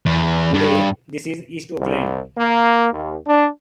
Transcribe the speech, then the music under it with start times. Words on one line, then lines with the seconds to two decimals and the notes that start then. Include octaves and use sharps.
Today this is East Oakland.
0.06 E2
0.54 G2
1.79 C2
2.37 A#3
2.93 D#2
3.26 D4